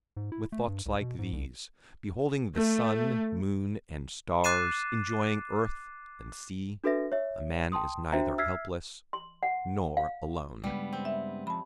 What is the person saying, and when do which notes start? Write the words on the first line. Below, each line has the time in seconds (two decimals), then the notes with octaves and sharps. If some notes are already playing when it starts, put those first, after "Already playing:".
With thoughts like these, beholding the Sun, Moon, and Stars, enjoying earth and sea, a man is neither helpless nor alone!
0.17 G#2
0.32 E4
0.52 A3
0.67 G2
0.86 C2
1.01 B2
1.19 G#2
1.33 C2
2.53 A3
4.44 D6 F#6 A6 C7 D#7 E7
6.84 D4 F#4 A4 B4 E5 A#6
7.12 C#5 E5
7.72 G5 A5 C6 D#6
8.12 D4 F#4 C5 E5 G5 A#5
8.38 E5 E6 F6 G#6 B6 C7
9.13 C6
9.43 F#5
9.97 F5
10.64 G2 C#3 G3 G#3 B3
10.93 C4
11.05 E5
11.47 F2 A5 B5